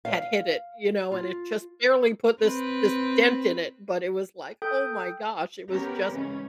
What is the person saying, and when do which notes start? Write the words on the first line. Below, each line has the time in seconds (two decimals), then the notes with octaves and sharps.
had hit it, you know, and it just barely put this this dent in it, but it was like, "Oh my gosh," it was just
0.05 F5
1.12 F4
2.41 C4 B4
4.62 A4 G5 D#6 G6
5.70 B3 C#4 G4 A#4 B4
6.12 G#2 C#3 E3 C#4